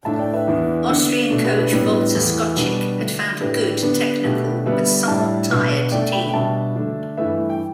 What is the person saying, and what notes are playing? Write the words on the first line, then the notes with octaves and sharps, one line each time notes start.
Austrian coach Walter Skocik had found a good, technical but somewhat tired team.
A2 A3 D4 E5 A5
D5 G5
B4 E5
E2 E3 B3 D4
D3 B3 D4
B2 A3 D4
G4 B4
G4 B4
A2 G3 B3 D4 G4 B4
E2 E3 A3
B2 G3 B3 D4
D3 A3 D4
A2 A3 D4 G4 B4
D3 B3 D4
B2 A3 D4 G4 B4
D3 G3 B3 B4 E5
A2 G3 D4 E5 A5
B2 B3 D4
B2 A3 D4 D5 G5
G5 B5
G5
B2 G3 D4 E5 A5
D3 A3 D4
G2 E3 A3 B4 E5
G5